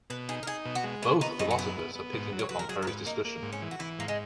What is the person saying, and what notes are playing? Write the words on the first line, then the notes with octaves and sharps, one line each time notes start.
Both philosophers are picking up on Perry's discussion.
B2 B4
D#4 G#4
A#4
D#4 G#4
B2
F#4
G#3
B3 E4
B3 D#4
F#2 D#4
F#4
B3 E4
B3
B3
G#2
F#3
C#5
F#3 B4
A#4
F#3 G#4
A#4
G#2 B4
A#3 D#4
A#3
G#2
C#4
E3
F#4
E3 E4
G#2 A#3
G#3